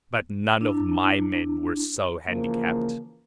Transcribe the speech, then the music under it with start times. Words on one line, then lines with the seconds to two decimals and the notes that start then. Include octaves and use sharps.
But none of my men were so handicapped.
0.61 D4 E4
2.29 C#3 E3 F3 A#3